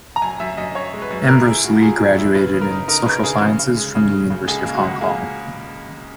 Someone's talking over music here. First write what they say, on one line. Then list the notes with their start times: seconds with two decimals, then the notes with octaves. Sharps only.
Ambrose Lee graduated in Social Sciences from the University of Hong Kong.
0.16 A#5
0.22 F#2 G#5
0.40 F#2 E5
0.57 F#2 D#5
0.75 F#2 C#5
0.94 G#3
1.02 B4
1.11 F#2
1.28 E4 A#4
1.46 E4 G#4
1.64 A#2 F#4
1.81 A#2 G#4
2.00 F#3
2.18 E4
2.35 C#3 B4
2.53 C#3
2.61 A#4
2.71 D#4
2.88 D#4 A#4
3.05 C#3 B4
3.23 C#3 G#4
3.42 C#3
3.59 C#3
3.77 G#3
3.95 C#3
4.13 C#3
4.30 C#3
4.48 C#2 G#4
4.65 A#3
4.74 F#4
4.83 C#2
5.01 A#3 G#4